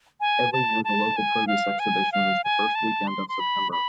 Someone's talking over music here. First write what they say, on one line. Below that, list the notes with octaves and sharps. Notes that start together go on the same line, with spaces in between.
Every year, the local produce exhibition is the first weekend of September.
G#5
A5
A5
G#5
F5
G#5
F5
G#5
A5
C6
C6
B5
B5